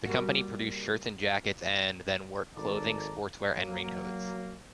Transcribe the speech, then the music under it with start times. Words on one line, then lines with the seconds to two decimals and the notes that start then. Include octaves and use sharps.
The company produced shirts and jackets and then work clothing, sportswear and raincoats.
0.05 G3 A#3 F#4
2.56 G#1 D#3 A4 D5 A5 A#5
3.56 F#3 A#3